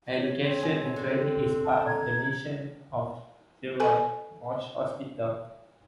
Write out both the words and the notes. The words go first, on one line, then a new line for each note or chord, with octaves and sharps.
Education and training is part of the mission of Jeroen Bosch Hospital.
C#5
C4 C#5
G#4
D3
A4 A5
A#5 G#6
A4 G#5